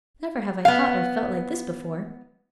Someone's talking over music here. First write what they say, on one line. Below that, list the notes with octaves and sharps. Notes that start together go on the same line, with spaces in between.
Never have I thought or felt like this before!
B3 F5